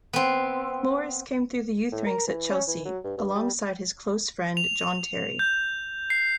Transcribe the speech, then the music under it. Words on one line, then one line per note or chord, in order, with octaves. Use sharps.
Morris came through the youth ranks at Chelsea, alongside his close friend John Terry.
B3 C4
A2
A#4
E3
C#4
E3
F#3
G2
G2
G3
F7
G6
C7